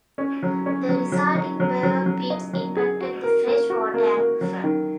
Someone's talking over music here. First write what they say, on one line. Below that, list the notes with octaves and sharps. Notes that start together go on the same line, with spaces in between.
The resulting borrow pits impacted the fresh-water aquifer.
C#4
F#3
C#4
F#3
F#3
F#3
F#3
F#3
F#3
D#5
F#3
G#4
F#4
A#4
A#3
F#4
A#3
A#3
F#3
D#3